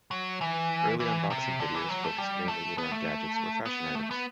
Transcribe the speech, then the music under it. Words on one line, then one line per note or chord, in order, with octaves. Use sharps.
Early unboxing videos focused mainly either on gadgets or fashion items.
F#3
E3
E3
C3
D3
E3
F#3
A3
G3
A3
B3
A3
B3
A3
B3